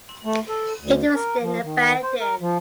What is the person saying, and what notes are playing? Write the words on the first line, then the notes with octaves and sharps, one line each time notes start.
It was then abandoned.
A3
A4
D2
A#4
F3
D#3
C5
A#4
F3